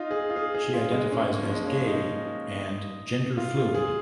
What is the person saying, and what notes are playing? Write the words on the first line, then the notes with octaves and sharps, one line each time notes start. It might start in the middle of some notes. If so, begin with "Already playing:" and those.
She identifies as gay and genderfluid.
Already playing: D#4 F4
G#4
F4
G#4
G#4
F4
G#3
C#4
A#3
F3
G#3
C#4
D#4
F4
F4
G#4